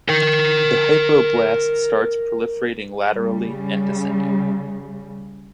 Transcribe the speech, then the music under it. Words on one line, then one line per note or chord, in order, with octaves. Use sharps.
The hypoblast starts proliferating laterally and descending.
A#4 G5
C#3 G3